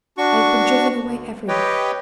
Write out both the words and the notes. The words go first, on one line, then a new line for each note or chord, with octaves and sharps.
"I have been driven away everywhere."
D4 F#4 C#6
D2
G4 B4 C#5 D#5 G5